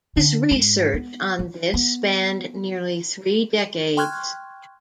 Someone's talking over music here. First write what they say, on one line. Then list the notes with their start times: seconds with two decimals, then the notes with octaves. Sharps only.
His research on this spanned nearly three decades.
0.16 D3
0.51 G#2
0.94 B3
1.39 F#3
1.74 B3
3.97 G5 C6 C#6 F6 F#6 G#6